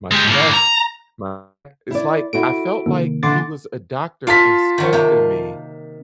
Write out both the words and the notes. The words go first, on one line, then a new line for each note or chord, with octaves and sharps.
my chest, my and it's, like I felt like he was a doctor inspecting me,
G#3 G4
A2 A#3
A#5
E4 D5
E4 F#4 A4 D7
C3 D#3 A#3
D3 E3 C6 D6 A6
F4 D5 F5 A5 B6
D#3 F#3
C3 A#3